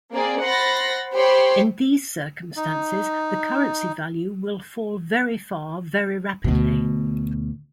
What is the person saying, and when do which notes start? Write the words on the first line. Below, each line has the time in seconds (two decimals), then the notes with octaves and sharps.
In these circumstances, the currency value will fall very far very rapidly.
0.12 A#3 C4 G#4 D5
0.42 C5 F#5 B5 C6 A6 A#6
1.14 G4 C5 C#5 G5 B5 C6
2.57 D#4
6.44 D2 B2